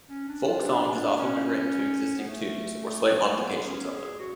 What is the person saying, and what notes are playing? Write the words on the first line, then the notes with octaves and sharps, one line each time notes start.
Folk song has often been written to existing tunes, or slight modifications of them.
C#4
D4
F4
D4
D4
C#4
B3
A3
B3
C#4
G#4
F#4